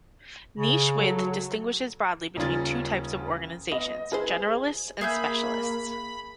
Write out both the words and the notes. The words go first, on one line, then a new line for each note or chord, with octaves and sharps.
Niche width distinguishes broadly between two types of organizations: generalists and specialists.
C#3
F#3 A4
D#1 C#3 C#4 F4 A6
B3 D#5
E4 G#4 B4 C5
A#3 G#4 E5 B5 G6